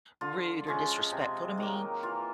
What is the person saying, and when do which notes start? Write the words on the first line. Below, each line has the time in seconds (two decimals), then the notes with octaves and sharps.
rude or disrespectful to me,
0.21 D3 F4
0.67 F3 G#3 C#4
1.12 C3
1.57 D#3 F#3 A#3
2.03 E3 F4